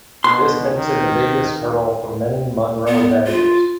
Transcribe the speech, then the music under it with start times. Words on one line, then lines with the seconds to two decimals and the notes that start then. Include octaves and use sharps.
This makes it the biggest hurdle for many Munro baggers.
0.24 B2 C6
0.74 D#3
2.88 B3
3.27 F4